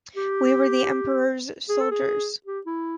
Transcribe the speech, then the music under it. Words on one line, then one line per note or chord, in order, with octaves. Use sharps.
We were the emperor's soldiers.
G4
G#4
A4
G#4
G4
E4